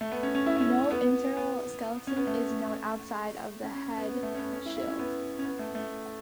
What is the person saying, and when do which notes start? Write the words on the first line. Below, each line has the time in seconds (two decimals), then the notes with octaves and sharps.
No internal skeleton is known, outside of the head shield.
0.01 A3
0.12 B3
0.23 C#4
0.35 C#4
0.46 E4
0.57 E4
0.61 C#4
0.91 B3
1.37 B3
2.07 C#4
2.17 B3
2.27 A3
3.63 C#4
3.74 C#4
3.98 B3
4.09 B3
4.23 A3
4.34 C#4
4.39 B3
4.53 C#4
4.66 E4
4.77 E4
4.88 C#4
4.99 B3
5.39 C#4
5.44 B3
5.59 A3
5.75 A3